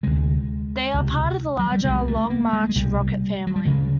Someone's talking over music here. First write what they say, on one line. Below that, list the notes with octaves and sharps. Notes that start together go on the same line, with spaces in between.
They are part of the larger Long March -rocket family.
D2 C3 G#3
C#2 C3
F#3
G3
C2 C3 G#3
A3
A#3
G#3
G#3
C2 B2 G3
F#3
G3
D2 C#3 G#3